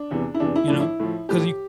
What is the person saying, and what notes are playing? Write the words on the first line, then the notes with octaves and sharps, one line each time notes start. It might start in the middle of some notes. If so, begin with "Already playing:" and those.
You know? 'Cause you
Already playing: D4
E2 C3 E3
E4
E2 C3 E3 D4
E4
A2 F3 D4
E4
A2 F3
A2 F3 G4